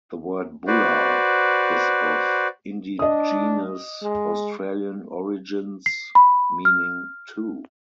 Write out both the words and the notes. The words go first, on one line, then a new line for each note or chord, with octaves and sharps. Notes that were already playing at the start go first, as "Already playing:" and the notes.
The word Bulla is of indigenous Australian origins meaning 'two'.
F#4 B4 C5 D5
D4 D#5 D#6
G#3
C7
B5
F6